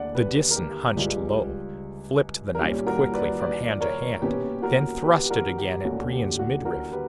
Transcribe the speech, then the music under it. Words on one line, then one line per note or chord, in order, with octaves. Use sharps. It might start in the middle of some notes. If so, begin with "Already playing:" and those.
The Disan hunched low, flipped the knife quickly from hand to hand, then thrust it again at Brion's midriff.
Already playing: D2 A#3 D5 F#5
G4 B4
A#4
G4
C#2 C#3 G3 G4
A#4
A#2 G3 C#4 G4
F#4 A#4
B4 D5
B4 D5
A#4 C#5
B2 A#3 C#4 G4 B4
F#4 A#4
G4 B4
G4
F#4 A#4
G4
D2 D3 A#3 C#4 F#4
G4
F#4
F#4 A#4
G4 B4